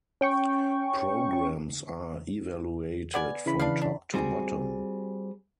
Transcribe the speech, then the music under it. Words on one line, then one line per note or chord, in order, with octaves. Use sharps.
Programs are evaluated from top to bottom.
C#4 G5 C#6
B3 D5 G#5
C#3 E3 B5
D4 B4 F5
D4
G3 C4 F#4 G#4